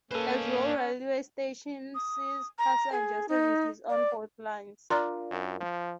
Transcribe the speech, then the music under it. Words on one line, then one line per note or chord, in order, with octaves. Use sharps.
Ezhou railway station sees passenger services on both lines.
A#3 C#4 A4 B4 C5 D#5
D#6
A#5
G#4
D#4
D5
D4 F4 A#4 D5 A#5 C6
F#2
F3